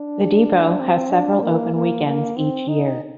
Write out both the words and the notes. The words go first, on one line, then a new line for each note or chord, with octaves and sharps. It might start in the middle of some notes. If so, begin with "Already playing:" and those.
The depot has several open weekends each year.
Already playing: D4
C4
D4
A#3
A#3
A#3
C4
D#4